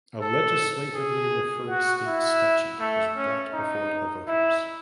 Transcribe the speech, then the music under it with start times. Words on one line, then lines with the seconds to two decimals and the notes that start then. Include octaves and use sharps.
A legislatively referred state statute was brought before the voters.
0.21 A4
0.96 G#4
1.70 F#4
2.06 E4
2.80 A3
3.17 C#4
3.54 D#4
4.28 E4